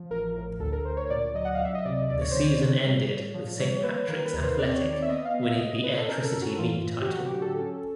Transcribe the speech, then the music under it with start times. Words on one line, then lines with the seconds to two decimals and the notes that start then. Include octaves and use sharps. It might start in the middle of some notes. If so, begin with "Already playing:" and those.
The season ended with Saint Patricks Athletic winning the Airtricty League title.
Already playing: F3
0.10 A1 A#4
0.36 A2
0.59 D2 A4
0.72 A#4
0.85 D2 C5
0.97 C#5
1.10 A#2 D5
1.34 F#3 D#5
1.45 F#5
1.55 F5
1.60 C#2
1.65 E5
1.75 D#5
1.85 C3 D5
2.09 D2 D5
2.21 C#5
2.31 D#3 C5
2.42 C#5
2.60 D3
2.84 G3
3.09 A2
3.34 F3
3.60 G3 C#5
3.84 A#3 B4
4.04 B4
4.08 D#3 A#4
4.25 B4
4.33 D#2
4.42 C5
4.59 C4 D5
4.75 C#5
4.84 D#3
4.92 D5
5.02 E5
5.08 B3 D#5
5.25 F5
5.34 B3
5.42 E5
5.58 B2 D#5
5.84 B2 B4
5.97 A4
6.08 C#4 A#4
6.25 A4
6.34 G2
6.42 F#4
6.58 E3 F4
6.83 A2
7.01 G4
7.07 F#3 F#4
7.25 G4
7.33 D3
7.42 A4
7.58 C#4